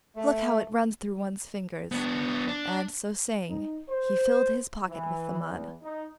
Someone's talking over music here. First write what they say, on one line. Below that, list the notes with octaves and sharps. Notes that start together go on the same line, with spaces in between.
Look how it runs through one's fingers!' and, so saying, he filled his pocket with the mud.
A3
B3 D4
D4
D#4
C5
E3
E2
D#4